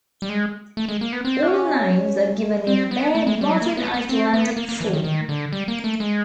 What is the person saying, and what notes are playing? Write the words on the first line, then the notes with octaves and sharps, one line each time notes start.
All names are given in their Modern Icelandic form.
G3
G#3
A3
G#3
A#3
B3
C4
D4
C#4
C4
B3
A3
G#3
G3
F#3
A#3
B3
B3
C4
B3
A#3
A#3
E3
D#3
D#3
D3
G3
A#3
A3
G#3